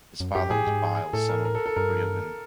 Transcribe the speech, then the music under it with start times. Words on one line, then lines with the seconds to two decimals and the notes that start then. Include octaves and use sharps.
His father was Bile, son of Breogan.
0.20 F#2
0.35 F#2 G4
0.50 A2 G#4
0.67 G#2
1.13 A2 A4
1.29 A#4
1.45 A#4
1.55 A4
1.66 A4
1.76 G2 A#4